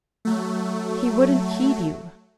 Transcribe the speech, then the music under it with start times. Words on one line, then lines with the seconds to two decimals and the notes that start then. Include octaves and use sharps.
"He wouldn't heed you."
0.25 F#3 A3